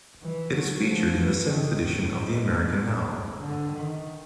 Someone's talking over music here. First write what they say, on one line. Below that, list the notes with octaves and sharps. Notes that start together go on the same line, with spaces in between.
It is featured in the seventh edition of the American Now!
E3
F#3
F3
E3
D#3
A2
G#2
G#2
D3
D#3